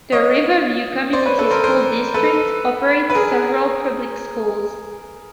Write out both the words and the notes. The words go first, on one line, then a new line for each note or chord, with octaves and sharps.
The Riverview Community School District operates several public schools.
C#5 D#5
C5 D5
B4 C#5
A4 B4
A#4 C5
A#4 C5
A4 B4
B4
G#4 A#4